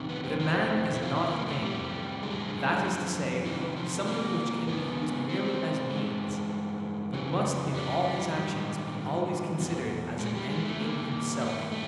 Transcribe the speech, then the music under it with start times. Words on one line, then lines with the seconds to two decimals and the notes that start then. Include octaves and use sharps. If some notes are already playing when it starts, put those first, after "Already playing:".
But a man is not a thing, that is to say, something which can be used merely as means, but must in all his actions be always considered as an end in himself.
Already playing: F2 C3 D#3
0.09 B3
0.24 C4
0.40 C4
0.94 E4
1.01 F2 C3 E3 F4
1.16 E4
1.31 A#3
1.46 A3
1.61 G3
2.22 F#2 D3 G#3
2.84 F3
3.45 E2 C3 D#3 E3
3.77 F3
4.06 A#3
4.68 G#2 E3 B3
5.29 C4
5.90 G2 E3 G#3
7.13 F2 C#3 E3
7.74 G3
8.34 G#2 D#3
9.58 E2 B2
10.19 G#3
10.35 G3
10.50 G#3
10.65 A3
10.80 G2 D#3 A#3
11.42 A3
11.72 A3